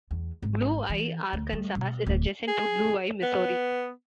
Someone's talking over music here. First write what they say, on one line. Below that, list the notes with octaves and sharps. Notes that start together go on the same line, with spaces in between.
Blue Eye, Arkansas, is adjacent to Blue Eye, Missouri.
E2
G#1
E3
D2
G3
B2
D1
G#4
B3